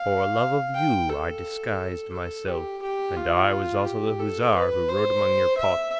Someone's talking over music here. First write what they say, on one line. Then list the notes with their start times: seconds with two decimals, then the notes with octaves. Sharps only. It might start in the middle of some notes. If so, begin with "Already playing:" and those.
For love of you I disguised myself; and I was also the Hussar who rode among your pots.
Already playing: F5
0.75 G5
1.10 A4
2.13 A4
2.48 G4
2.82 G4
3.16 F4
3.85 G4
4.20 A4
4.54 B4
4.89 C5
5.58 E5